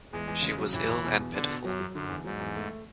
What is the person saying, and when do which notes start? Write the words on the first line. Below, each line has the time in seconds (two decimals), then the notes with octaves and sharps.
She was ill and pitiful.
0.13 E2 G#3
0.28 E2
0.42 C#3
0.57 F#3
0.73 E1 E3
0.89 E1
1.04 B2
1.19 E2
1.33 B2 D3
1.49 B2
1.64 F#2 F#3
1.79 F#3
1.94 F#2 D3
2.09 E2
2.24 G#2 F#3
2.40 E2
2.55 A3